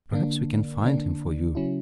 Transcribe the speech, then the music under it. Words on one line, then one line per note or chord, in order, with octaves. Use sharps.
Perhaps we can find him for you.
D3 A#3 D4
D3 A#3 D4
C#3 F#3 C#4 E4